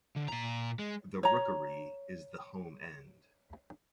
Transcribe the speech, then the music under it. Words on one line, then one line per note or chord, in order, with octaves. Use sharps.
The Rookery is the "home end".
D3
A#2 A#5
G#3
C#5 A#5